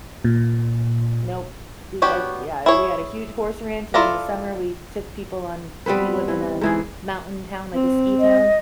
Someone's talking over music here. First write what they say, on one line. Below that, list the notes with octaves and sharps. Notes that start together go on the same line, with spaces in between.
Nope. We go Yeah, we had a huge horse ranch, and in the summer, we took people on g We lived in a mountain town, like a ski town,
A#2
B3 D4 F#4 G4 C#5
E4 G#4 C#5
E4 F4 A4 D5 A#5
G3 B3 C4 B4
E3
G#2 E3 G#4
C4
D#5